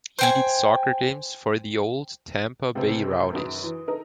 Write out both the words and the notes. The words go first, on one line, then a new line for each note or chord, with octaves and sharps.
He did soccer games for the old Tampa Bay Rowdies.
C5 G5 G#5
C#2 C3 C4 G#4
F#2 D#3 D#4 B4 D#6 D7
E3
D#4 A4 A#4